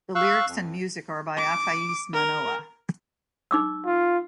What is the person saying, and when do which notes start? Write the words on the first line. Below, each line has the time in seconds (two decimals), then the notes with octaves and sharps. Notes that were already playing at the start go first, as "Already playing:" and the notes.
The lyrics and music are by Afaese Manoa.
0.15 F5 C#6 E6 F#6
0.49 F2
1.38 D6
2.13 A#4
3.51 D#4 D6 E6
3.85 F4